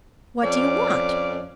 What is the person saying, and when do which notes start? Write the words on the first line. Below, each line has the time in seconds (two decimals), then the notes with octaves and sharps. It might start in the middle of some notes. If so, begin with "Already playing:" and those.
"What do you want?"
0.43 F2 C#4 D5